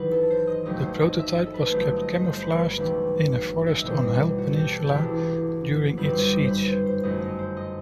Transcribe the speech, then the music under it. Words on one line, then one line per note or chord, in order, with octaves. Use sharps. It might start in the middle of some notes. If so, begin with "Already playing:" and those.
The prototype was kept camouflaged in a forest on Hel Peninsula during its siege.
Already playing: E2 D#3 F#3 B4
A4
C5
D#5
E1 D#2 D#3 F#3 A3 D#5
C5
D#5
E5
D#5
A4
B4
G1 G2 F#3 A3 C5
D#5
D#5
C5
C5
B4
B4
E1 D#2 D#3
E5
D#5
E2 B2 G3 C5
D#5
F#4
A4
G4
A4
G4
E1 E2 C3 E3 A4
G1 F#2 D#3 G3 B4
C5
D#5
C5
B4
C5
C5
G1 F#2 F#3 A3 D#5
D#5
C5
D#5